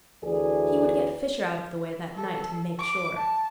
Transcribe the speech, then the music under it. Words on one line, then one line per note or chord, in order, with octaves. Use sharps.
He would get Fisher out of the way that night and make sure.
D2 E3 G#4 A4 D5
A4
D6
A5